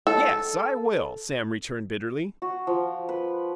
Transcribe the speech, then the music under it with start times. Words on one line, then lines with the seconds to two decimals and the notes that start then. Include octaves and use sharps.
"YES, I will!" Sam returned bitterly.
0.07 A4
2.42 F#4
2.67 F3
3.09 B4